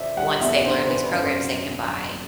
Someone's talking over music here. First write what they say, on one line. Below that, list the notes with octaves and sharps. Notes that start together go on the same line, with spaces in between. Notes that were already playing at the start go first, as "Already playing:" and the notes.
once they learn these programs they can buy
Already playing: D3 D4 C5 E5
G3 F#5
E2 E5
D3 C5
C5
D4 B4
F#2 C5
F#3
D3
F#1